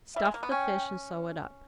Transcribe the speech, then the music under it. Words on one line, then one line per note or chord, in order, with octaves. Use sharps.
Stuff the fish and sew it up.
G3 E5
G#3
A#3
B3
C#4 G5